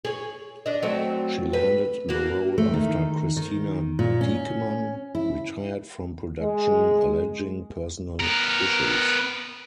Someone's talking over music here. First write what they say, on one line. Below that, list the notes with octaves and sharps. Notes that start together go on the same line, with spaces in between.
She landed the role after Christina Dieckmann retired from production alleging personal issues.
G#4 C#5
D4 D#5
F#3 A3 C4
B4
A#3 F#4
A3
D#3
D#3
A#2
C#4
E4
G#3
B3 A#4